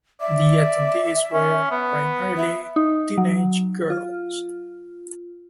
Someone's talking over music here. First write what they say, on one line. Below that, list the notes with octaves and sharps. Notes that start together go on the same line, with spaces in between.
The attendees were primarily teenage girls.
D5 E5
C#4
B3
E5
D#4
F#3
F4